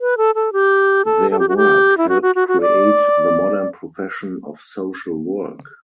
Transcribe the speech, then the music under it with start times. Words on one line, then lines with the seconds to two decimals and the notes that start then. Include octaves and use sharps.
Their work helped create the modern profession of social work.
0.01 B4
0.17 A4
0.35 A4
0.53 G4
1.05 A4
1.31 A4
1.39 G4
1.49 F#4
1.57 G4
1.98 E4
2.09 F#4
2.22 F#4
2.35 F#4
2.48 F#4
2.61 D5